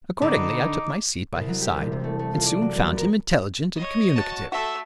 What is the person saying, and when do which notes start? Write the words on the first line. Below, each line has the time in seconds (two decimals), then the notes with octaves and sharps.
Accordingly I took my seat by his side, and soon found him intelligent and communicative.
0.22 D3 D#4 B4 D6
1.35 C2
1.48 F#3
1.61 G4
1.77 E1
1.92 C3
2.04 A3
2.19 A3
2.34 F4
2.46 D5
2.62 F#3
2.77 F#2
2.97 A#4
3.75 C#5 D#5
4.16 F#4 A5
4.52 A3 F#4 A4 E5